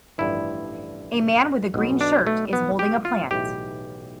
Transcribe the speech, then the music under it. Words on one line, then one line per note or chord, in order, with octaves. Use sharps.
A man with a green shirt is holding a plant.
A1 G2 D3 F3 E4
B1 B2
D4
A3
B3
G4
F4
B1 A2 E3 G4